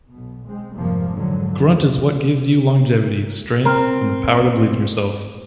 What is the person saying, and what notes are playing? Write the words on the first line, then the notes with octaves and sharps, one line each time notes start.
Grunt is what gives you longevity, strength, the power to believe in yourself.
B1 B2
G#3 C4
F1 G#2 C3 F3 G3 A#3
G#2 D3 F#3
F2
C4 A#4